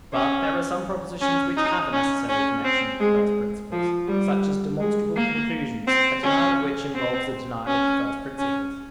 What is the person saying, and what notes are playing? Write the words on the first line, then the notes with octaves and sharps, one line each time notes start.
But there are some propositions which have a necessary connection with the first principles: such as demonstrable conclusions, a denial of which involves a denial of the first principles.
C#4
C#4
D#4
C#4
C#4
C4
G#3
F3
G3
G#3
A#3
C4
C#4
C4
C#4
C#4